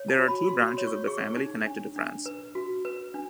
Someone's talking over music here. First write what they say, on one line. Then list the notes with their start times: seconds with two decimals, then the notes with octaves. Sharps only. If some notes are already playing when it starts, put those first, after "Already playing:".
There are two branches of the family connected to France.
Already playing: C#5
0.08 A5
0.18 F#4
0.28 B5
0.48 F#4 C6
0.68 C6
0.78 C#5
0.87 C#6
1.07 G#4 C#6
1.37 D#4
1.66 D4
1.96 D4
2.26 B4
2.55 F#4
2.85 B4
3.14 D4